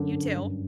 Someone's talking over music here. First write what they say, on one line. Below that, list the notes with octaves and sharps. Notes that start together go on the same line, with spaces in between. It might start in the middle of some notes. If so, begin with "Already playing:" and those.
You too.
Already playing: F#2 D3
G1
G2